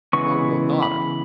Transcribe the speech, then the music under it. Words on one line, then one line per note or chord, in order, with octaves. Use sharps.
Longbill nodded.
C#3 E3 G#3 B3 C#6
B5